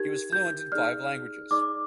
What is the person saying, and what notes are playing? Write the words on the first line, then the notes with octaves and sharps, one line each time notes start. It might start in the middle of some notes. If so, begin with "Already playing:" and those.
He was fluent in five languages.
Already playing: D#4 G4 A#4 G#6
G6
D#4 G#4 D5 F6
D#4 G#4 D5 D6